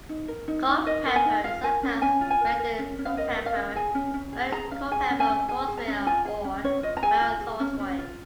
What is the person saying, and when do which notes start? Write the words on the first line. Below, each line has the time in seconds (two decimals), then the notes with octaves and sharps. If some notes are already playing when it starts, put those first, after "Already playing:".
Colepeper is sometimes rendered "Culpeper", Baron Colepeper of Thoresway, or Baron Thoresway.
0.09 D#4
0.28 A#4
0.48 D#4
0.67 D#4
0.86 A#4 D#5
1.06 A#4
1.16 G#5
1.25 D#4
1.44 F4 F5
1.63 A#4 G#5
1.83 C#4
2.02 C#4 G#5
2.21 F4
2.30 G#5
2.41 A#4
2.59 A#4
2.79 C#4
2.99 C#4
3.05 F5
3.17 A#4 D#5
3.37 A#4
3.46 F5
3.56 C#4
3.75 G#4 G#5
3.95 C#4
4.14 C#4
4.33 G#4
4.52 G#4 A#5
4.71 C#4 F5
4.91 G#4 G#5
5.10 C#4
5.20 G#5
5.30 C#4
5.48 G#4 G#5
5.68 G#4
5.77 A#5
5.87 C#4
6.07 F4 G#5
6.26 G#4
6.44 C#4
6.64 C#4 C#5
6.83 F4 D#5
6.97 A#5
7.03 G#4 G#5
7.21 F4
7.41 G#4
7.60 C#4
7.80 C#4
7.98 F4